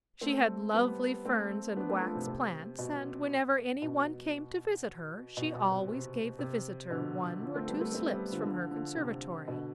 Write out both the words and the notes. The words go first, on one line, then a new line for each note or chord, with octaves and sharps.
She had lovely ferns and wax-plants and, whenever anyone came to visit her, she always gave the visitor one or two slips from her conservatory.
A3 C4
G3 B3
A3 C4
B3 D4
A3 C4
F3 A3
C3
C3
B2
B2
B2
B2
C3
C3
C3
B2 D3
D3 F3
A3 C4
G3 B3
A3 C4
A3 C4
G3 B3
D3 F3
D3 F3
D3 F3
C3
B2 D3